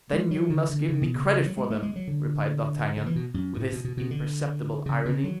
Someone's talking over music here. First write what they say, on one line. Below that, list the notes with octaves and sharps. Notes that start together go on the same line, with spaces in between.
"Then you must give me credit for them," replied D'Artagnan, with his imperceptible irony.
G#3
F#3
D3
D3
C#3
B2
C#3
F#3
G#3
A3
G#3
F#3
D3
D3
E3
B2
F#2
A2
B2
B2
B2
D3
C#3
C#3
F#3